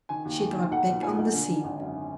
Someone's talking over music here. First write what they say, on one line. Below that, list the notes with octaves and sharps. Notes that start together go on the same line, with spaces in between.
She dropped back on the seat.
D#3 G#5
D#2
D#2
D#3
B1 F#5
A#2
A#2 G#5
B1
D3
D3
G#1
F#2